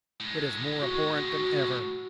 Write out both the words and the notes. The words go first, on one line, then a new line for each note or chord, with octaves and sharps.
It is more abhorrent than ever.
A2 G#3
F#4